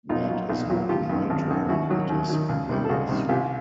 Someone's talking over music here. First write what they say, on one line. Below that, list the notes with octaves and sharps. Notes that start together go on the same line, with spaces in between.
That is not my term, it is theirs.
B1 D#4 F4
A#2 F#3
B1
A#2 F#3
G#1 F4 G4
F#2 D#3
G#1
F#2 D#3
D#2 E4 F#4
D#3 F#3
D#2
D#3 F#3
C#2
C3 D#3 G3
A4
C#2 F#4 G#4
C3 D#3 G3
C2 F4 G4